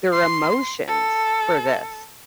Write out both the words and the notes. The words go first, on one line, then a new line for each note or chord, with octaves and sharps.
their emotions for this.
C6
A4